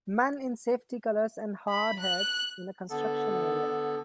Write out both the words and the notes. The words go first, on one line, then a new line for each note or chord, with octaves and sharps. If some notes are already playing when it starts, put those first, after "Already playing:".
Men in safety colors and hard hats in a construction area.
B5
F#6
D3 B3 A4